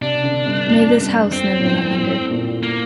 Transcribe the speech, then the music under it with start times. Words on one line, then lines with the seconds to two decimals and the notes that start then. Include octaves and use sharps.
May this house never know hunger.
0.01 C3 D4
0.15 C3
0.24 D3
0.46 G2
0.67 F2
1.00 G2
1.32 F2 C4
1.59 A2
1.65 G2
1.98 A2
2.31 A#2
2.63 A#3